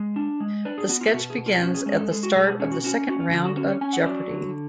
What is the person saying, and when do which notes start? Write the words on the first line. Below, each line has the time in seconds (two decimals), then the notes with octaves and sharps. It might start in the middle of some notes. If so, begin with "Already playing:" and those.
The sketch begins at the start of the second round of Jeopardy!
Already playing: G#3
0.16 D4
0.40 G#3
0.65 D4 B4
0.78 G#4
0.89 B3 F#4
1.01 F4
1.14 B2 F#4
1.30 G#4
1.38 B2
1.46 F4
1.58 F4
1.62 C#4 F#4
1.74 G#4
1.86 G#3 G#4
1.98 A4
2.11 G#3 A4
2.23 F#4
2.35 B2 G#4
2.47 G#4
2.60 C#4 G#4
2.72 F#4
2.84 C#4 F#4
3.08 C#4 F#4
3.20 F4
3.32 D3 F4
3.45 F#4
3.56 C#4 F#4
3.69 C#5
3.81 C#4 G#5
3.93 F#5
4.06 F#3 D5
4.30 D3